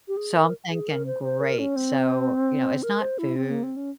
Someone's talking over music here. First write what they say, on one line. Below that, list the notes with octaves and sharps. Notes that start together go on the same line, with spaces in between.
So I'm thinking great, so, you know, it's not food,
G4
G#4
A#4
G#4
A#4
C5
C5
A#4
C#4
C4
A#4
C5
E4
C4
A#3
C4
C#4